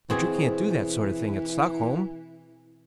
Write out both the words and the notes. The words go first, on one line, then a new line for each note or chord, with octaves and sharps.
"But you can't do that sort of thing at Stockholm!"
B2 E3 C4 G#4